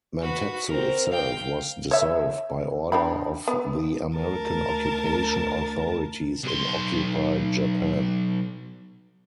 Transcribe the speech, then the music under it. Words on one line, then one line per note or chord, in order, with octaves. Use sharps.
"Mantetsu" itself was dissolved by order of the American occupation authorities in occupied Japan.
F#4 B4
C4 A#4
F5 G5
C#5 E5
D4 G5 B5
B3
D2 A#4 A5
B1 C6